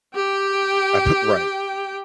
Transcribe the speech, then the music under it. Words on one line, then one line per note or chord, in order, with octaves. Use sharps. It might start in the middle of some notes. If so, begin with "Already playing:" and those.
I've Right,
G4 G5